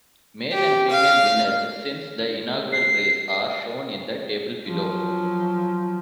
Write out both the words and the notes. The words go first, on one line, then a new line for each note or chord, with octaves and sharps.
Male and female winners since the inaugural race are shown in the table below.
G4
F5
C7
F3 F#3